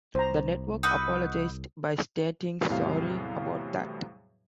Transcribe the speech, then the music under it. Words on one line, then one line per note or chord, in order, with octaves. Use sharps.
The network apologized by stating Sorry About That.
C2 C5 A#5
D#4 F#4 B4 D#6 E6 G6
E2 A2 C3 F#3 G3 F5